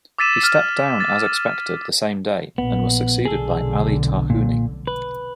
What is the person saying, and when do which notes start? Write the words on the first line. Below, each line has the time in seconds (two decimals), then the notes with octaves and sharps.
He stepped down as expected the same day and was succeeded by Ali Tarhouni.
0.18 D6 E6 A6 B6 D#7 E7
0.43 F6
1.00 A6
2.58 A#1 B3
3.25 F1 B1 D3 G#4 A4
4.30 A#2
4.87 B4